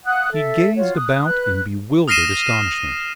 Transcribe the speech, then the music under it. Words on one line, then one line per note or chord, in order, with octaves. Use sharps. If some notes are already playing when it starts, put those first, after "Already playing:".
He gazed about in bewildered astonishment.
F5 F#5 D#6 F#6
A4 E5
F4 F#4 C#5
D#6 F#6
B4 F#6
D#6 F6 A#6 C7 D#7 E7